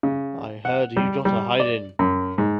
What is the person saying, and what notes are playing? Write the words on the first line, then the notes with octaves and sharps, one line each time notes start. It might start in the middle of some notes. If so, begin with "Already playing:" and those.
I heard you got a hiding.
C#3
F#5
G3
G3
D5
F#2
G#2